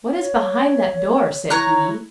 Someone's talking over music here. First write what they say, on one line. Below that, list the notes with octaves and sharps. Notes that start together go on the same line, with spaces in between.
"What is behind that door?" said he.
C#5
E4 C#5 A#5 F#6